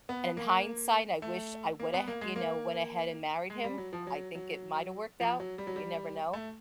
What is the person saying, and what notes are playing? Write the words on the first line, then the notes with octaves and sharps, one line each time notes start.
and in hindsight I wish I went ahea you know, went ahead and married him. I think it might have worked out. You never know.
B3
A#3
A3
A#3
B3
A#3
G#3
A#3
G#3
G3
F#3
F3
F#3
F#3
F3
F#3
G3
F#3
G3
A3